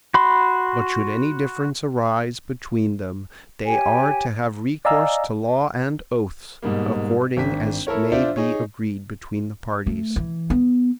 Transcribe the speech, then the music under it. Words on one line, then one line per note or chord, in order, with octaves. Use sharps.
But should any difference arise between them they are to have recourse to law and oaths, according as may be agreed between the parties.
F#4 B5 C6
G4 C#5 G5 G#5
D5 D#5 F5 G#5 A#5 E6
G#2 B2 G3 A#3
G#1 D4 B6
E4 A4 A#4 C#5
D4 F4 C5 D5 E5
D#4 G#4 C#5
A3
E3
B3